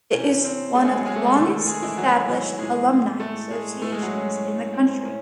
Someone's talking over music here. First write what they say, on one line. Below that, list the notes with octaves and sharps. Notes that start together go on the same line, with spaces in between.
It is one of the longest established alumni associations in the country.
C3 E3 C#4
C4
A3 A4
G#3 G#4
F#3 F#4
G#3 G#4
A3 A4
G#3 G#4
C3 D#3 A3 A4
G#3 G#4
E3 E4
F#3 F#4
F#3 F#4
A2 E3 G#3 G#4
A3 A4
G#3 G#4
A2 E3 A3 A4
G#3 G#4
F#3 F#4
C#4
C4
A2 C#4